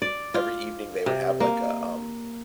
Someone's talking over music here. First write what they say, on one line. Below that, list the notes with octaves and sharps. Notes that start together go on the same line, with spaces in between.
every evening, they would have, like, a, um
D5
F4
C3
A#3